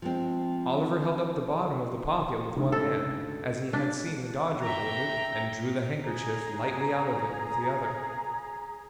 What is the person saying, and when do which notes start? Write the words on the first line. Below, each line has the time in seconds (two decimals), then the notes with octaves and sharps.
Oliver held up the bottom of the pocket with one hand, as he had seen the Dodger hold it, and drew the handkerchief lightly out of it with the other.
0.02 F3 G#3 C4
2.56 D2 G#2 C#3
2.72 A4
3.73 D4 B6
4.62 E5 G5 A#5
6.02 G#4 A#5